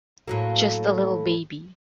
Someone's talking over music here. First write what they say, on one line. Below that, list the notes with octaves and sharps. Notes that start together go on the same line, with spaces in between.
Just a little baby.
A2 F#3 A#3